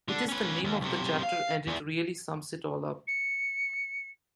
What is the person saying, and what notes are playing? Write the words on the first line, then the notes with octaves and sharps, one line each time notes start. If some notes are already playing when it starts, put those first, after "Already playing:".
It is the name of the chapter and it really sums it all up.
D3 D4
C#4 B4
D#2
B1 C3
F5
E2 E3
C#7